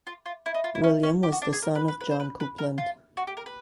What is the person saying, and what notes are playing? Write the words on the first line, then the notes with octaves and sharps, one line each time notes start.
William was the son of John Coupland.
F4
F4
E4
D#4
F4
E4
C#4
C#4
G4
F#4
D4
G#4
A#4
B4
B4
B4
C5
B4
B4
A#4
F4
F#4
G4
A#4
B4